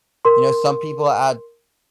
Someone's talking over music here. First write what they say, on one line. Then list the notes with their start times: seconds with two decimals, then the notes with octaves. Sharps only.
you know, some people add
0.25 A#4 C6